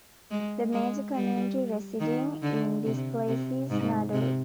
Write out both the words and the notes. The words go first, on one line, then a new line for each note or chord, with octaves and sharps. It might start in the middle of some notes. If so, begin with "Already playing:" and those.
The major community residing in this place is Nador.
G#3
G#3
G3
D#3
D3
C3
C3
G#2
C3